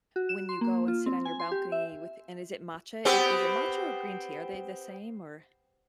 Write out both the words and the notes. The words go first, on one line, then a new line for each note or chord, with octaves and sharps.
when you go and sit on your balcony with and is it matcha, is is it matcha or green tea, are they the same, or
F#4
E7
C6
A#3
F4
C4
G#5
C6
G4
E5
B3 C4 G4